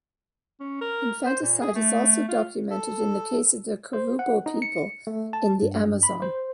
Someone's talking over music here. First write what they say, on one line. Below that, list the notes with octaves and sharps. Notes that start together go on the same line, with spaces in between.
Infanticide is also documented in the case of the Korubo people in the Amazon.
C#4
A#4
C5
A#2
G#4
A3
F4
A4
C5
F#5
D#4
C#7
A3
A5
G2
B5
C5